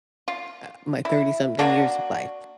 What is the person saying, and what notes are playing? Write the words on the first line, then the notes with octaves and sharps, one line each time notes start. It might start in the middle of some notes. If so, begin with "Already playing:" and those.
uh, my thirty-something years of life.
F4
E4
A#3 D4 F4 F#4